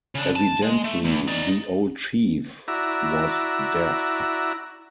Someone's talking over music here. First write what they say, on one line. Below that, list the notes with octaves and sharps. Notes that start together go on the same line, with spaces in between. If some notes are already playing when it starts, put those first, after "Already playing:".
Evidently the old chief was deaf.
C#3 D4
A5
G#3
A3
E2
D#4 D5
E4 F#4 D5 E5 A#5